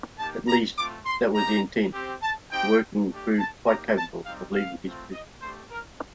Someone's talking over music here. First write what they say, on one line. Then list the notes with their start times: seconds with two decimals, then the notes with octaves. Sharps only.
At least, that was the intent; Dworkin proved quite capable of leaving his prison.
0.18 A#3 D#4 G4 A5
0.47 A#5
0.77 A3 C4 F4 D6
1.06 C6
1.34 A#3 D#4 G4 A#5
1.93 C4 G4
2.22 A5
2.50 C4 D#4 G4 G5
3.09 A3 D4 G4
3.38 A5
3.67 A#3 D#4 G4 A#5
3.96 A5
4.24 G3 C4 D#4 G4 F5
4.53 F5
4.84 A3 C4 F4
5.11 D#5
5.41 A3 D4 G4 C5
5.70 A#4